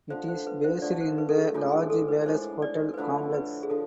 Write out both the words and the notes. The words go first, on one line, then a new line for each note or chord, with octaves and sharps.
It is based in the large Palace Hotel complex.
D3 F3 A3 C5
C5
B4
C5
D3 F3 A3 D5
C5
B4
A4
G#4
A2 G#3 D4 F4
G#4
A4
B4
A2 G#3 D4 C5
D5
B4
D3 F3 A3 E4 C5
B4
G#4
D3 F3 A4